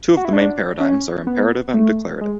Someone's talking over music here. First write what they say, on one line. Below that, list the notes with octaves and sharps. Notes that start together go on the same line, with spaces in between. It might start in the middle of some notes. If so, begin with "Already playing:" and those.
Two of the main paradigms are imperative and declarative.
F#4
E4
D4
C#4
B3
A3
G#3